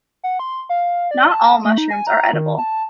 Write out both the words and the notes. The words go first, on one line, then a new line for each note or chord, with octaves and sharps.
Not all mushrooms are edible.
F#5
C6
F5
D5
A5
A3
D#4
G#5
A#5
D#3
A5